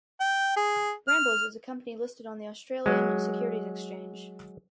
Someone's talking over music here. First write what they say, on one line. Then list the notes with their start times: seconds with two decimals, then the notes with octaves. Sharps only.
Brambles is a company listed on the Australian Securities Exchange.
0.20 G5
0.56 G#4
1.08 F6
2.86 F#3 G#3